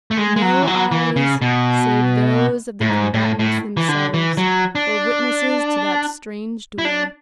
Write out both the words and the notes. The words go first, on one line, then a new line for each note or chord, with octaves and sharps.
No eyes--save those of the combatants themselves--were witnesses to that strange duel.
A3
G#3
G#3
F#3
E3
F#3
E3
C#3
B2
A2
G#2
A2
A2
E3
D3
E3
F#3
D4
E4
D4